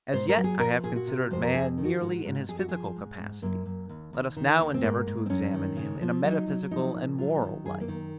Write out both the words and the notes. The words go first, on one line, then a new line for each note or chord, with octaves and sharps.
As yet I have considered man merely in his physical capacity; let us now endeavour to examine him in a metaphysical and moral light.
G#2 C5
A#4
F#3
G#4
F3 A#4
A#2 G#4
F#4
C3
F2 C5
A#4
F2 G#4
D#3
F#4
G#2 F#4
G#2
F2 G#4
F#4
F3 G#4
G#2
G#2
F#2 A#3
F#2
D#2
D#2
D#3
D#2
C4
G#2 A#3
G#2
C4
F#2 C#4
D#3
C#3
F3
F#3 D#4
F#3
F3 D#4
A#2
F#3 F4
D#3
F#2 G#4
A#3
D#3